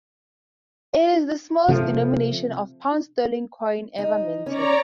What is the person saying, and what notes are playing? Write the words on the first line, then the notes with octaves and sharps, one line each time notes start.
It is the smallest denomination of pound sterling coin ever minted.
C3 F3 A3
D#4
C#4 C#5 D5 A#5